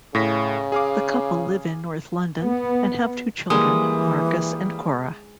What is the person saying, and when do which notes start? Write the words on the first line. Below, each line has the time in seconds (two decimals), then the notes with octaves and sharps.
The couple live in North London, and have two children, Marcus and Cora.
0.15 A2 C#3 A#6 B6
0.72 G#4 F5 D6
2.41 B3
3.50 E3 G3 G#3 A#3 D#6